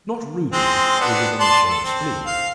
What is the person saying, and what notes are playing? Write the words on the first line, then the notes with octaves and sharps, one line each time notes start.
Not rudely, or with any show of spleen.
G#3 C4
B3 D4
D5 A5 C6
A4
C4
F5